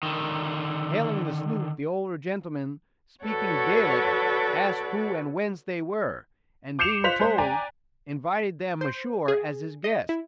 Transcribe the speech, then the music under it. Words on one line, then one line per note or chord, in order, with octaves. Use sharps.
Hailing the sloop, the older gentleman, speaking Gaelic, asked who and whence they were, and being told, invited them ashore as his guests.
D3 D#3
F#4 A4 B4 C#5 D5 F#5
D6 G6 C7 C#7 E7 F7
F4 C5 F#6 B6 F7
G#3 C5
D5 G5 G#5 A#5
C5
G#4
D#5
E4